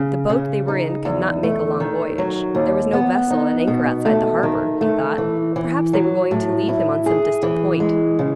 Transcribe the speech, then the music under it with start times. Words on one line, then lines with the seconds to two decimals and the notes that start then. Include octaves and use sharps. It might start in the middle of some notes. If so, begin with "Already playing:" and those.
The boat they were in could not make a long voyage; there was no vessel at anchor outside the harbor; he thought, perhaps, they were going to leave him on some distant point.
Already playing: C#3
0.29 C#3
0.68 D#4
1.05 E2
1.43 A3
1.80 D#3
2.18 F#3
2.55 D#2
2.93 B3
3.31 D#4
3.67 B2
4.05 A3
4.43 D#3
4.81 A3
5.18 E3
5.56 E3
5.93 F#3
6.31 A2
6.69 E4
7.06 G#4
7.43 E3
7.80 G#3
8.19 C#3